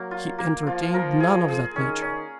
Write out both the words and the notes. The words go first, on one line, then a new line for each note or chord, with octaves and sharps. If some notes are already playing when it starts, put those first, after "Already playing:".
He entertained none of that nature.
Already playing: F#3 A#3 A#4
F4
A#3
F3 F4
A#4
G#4
G#4
D#3 C#4
C#4